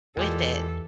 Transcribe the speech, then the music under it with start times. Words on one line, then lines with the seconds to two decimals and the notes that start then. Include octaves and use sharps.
with it.
0.17 E2 A#2 E3 G#3 G4 A4